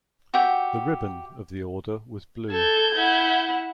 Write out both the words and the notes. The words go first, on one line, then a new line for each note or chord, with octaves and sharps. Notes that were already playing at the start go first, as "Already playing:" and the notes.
The "ribbon" of the Order was blue.
F#4 G4 E5 G5
A4 G6 G#6
E4 F#5